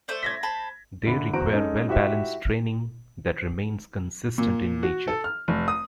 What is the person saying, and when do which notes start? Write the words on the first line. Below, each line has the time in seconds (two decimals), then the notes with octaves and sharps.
They require well-balanced training that remains consistent in nature.
0.08 A3 C5 D5
0.23 G#6 A#6 B6
0.43 C5 A5 B5
1.05 F#1 D3 B5
1.33 E2 F#4 C5 A#5 D7
1.53 G#3 C#4 D#4 A4
1.88 E4 F#4 G4 C5 E5
4.38 A#2
4.83 F#4
5.08 A4
5.24 F6
5.48 F1
5.68 D#6